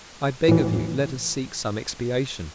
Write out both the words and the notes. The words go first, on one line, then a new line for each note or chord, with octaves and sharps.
I beg of you let us seek some expiation.
A2 E3